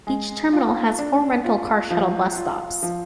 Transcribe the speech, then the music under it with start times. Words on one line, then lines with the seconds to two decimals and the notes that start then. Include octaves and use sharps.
Each terminal has four rental car shuttle bus stops.
0.07 G#3
0.53 F4
0.99 D4
1.44 F4
1.91 F3
2.36 F4
2.83 F3